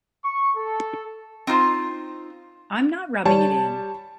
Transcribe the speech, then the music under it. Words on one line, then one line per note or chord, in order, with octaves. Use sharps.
I'm not rubbing it in.
C#6
A4
C4 D#4 F4 C5
G3 C#5 A5